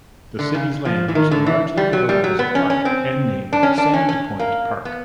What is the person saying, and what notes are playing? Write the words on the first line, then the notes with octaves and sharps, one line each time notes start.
The city's land was largely developed as a park and named Sand Point Park.
D3
C#3
F3
E3
D#3
D3
E3
G3
F#3
G3
F#3
B3
C#4
C#4
C4
D4
C#4
D4
C#4
C#4
A#3
B3